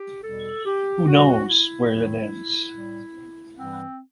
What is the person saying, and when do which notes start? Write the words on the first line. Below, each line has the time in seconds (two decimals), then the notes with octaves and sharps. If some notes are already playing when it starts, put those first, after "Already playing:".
Who knows where it ends?
Already playing: G4
0.22 E2 B2 G3 A4
0.65 G4
1.05 E2 B2 G3 F#4
1.48 E4
1.89 E2 D#3 F#3
2.72 A2 G3
3.56 G2 E3 G3 C4